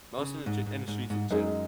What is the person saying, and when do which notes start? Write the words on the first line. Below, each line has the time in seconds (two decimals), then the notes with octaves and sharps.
most indu industries in general.
0.18 C#3
0.46 G#2
0.66 G#2
0.88 G#2
1.10 G#2
1.31 F#2 G#3 D#4 G#4